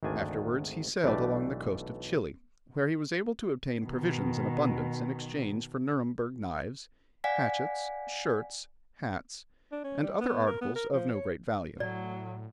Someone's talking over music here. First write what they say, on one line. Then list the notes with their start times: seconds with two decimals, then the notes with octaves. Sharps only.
Afterwards he sailed along the coast of Chili, where he was able to obtain provisions in abundance in exchange for Nuremberg knives, hatchets, shirts, hats, and other articles of no great value.
0.03 G#1 D2 D#3 D4 G#5
1.04 B1 E3 A3 D4 G4 D5
3.83 B2 D#3
7.24 D5 F5 F#5 G#5 B6
9.72 D4
9.84 C#4
10.03 G3
10.20 B3
10.47 A#4
10.61 B3
10.76 A#4
10.93 F3
11.14 C#5
11.80 A2 F#3 D5